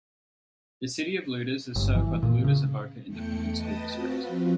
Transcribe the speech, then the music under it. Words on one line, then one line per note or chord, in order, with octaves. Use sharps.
The city of Lueders is served by the Lueders-Avoca Independent School District.
G1
E3
A#2
C#3
E2 A3 G5 C#7
B4 D#5 G5 A5 D#6
C4 F4 F#4 B4
F3 C4